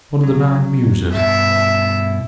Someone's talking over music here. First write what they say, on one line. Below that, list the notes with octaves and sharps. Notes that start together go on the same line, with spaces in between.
One of the nine Muses.
F#3
G2 B2 E4 E5